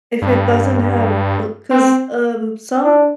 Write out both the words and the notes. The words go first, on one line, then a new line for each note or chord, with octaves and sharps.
if it doesn't have a l 'cause, um, some
G2
C4
D4